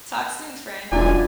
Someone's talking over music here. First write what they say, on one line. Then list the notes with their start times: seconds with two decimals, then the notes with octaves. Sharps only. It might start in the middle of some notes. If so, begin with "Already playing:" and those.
Talk soon, friend.
0.92 E1 F#2 D4 F4 D5 G#5